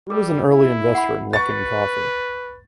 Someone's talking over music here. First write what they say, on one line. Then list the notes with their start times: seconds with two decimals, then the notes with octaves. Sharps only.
Lu was an early investor in Luckin Coffee.
0.10 G3 G#4 A#4
0.49 E4
0.95 F#5 B5
1.33 B4 C#6 A6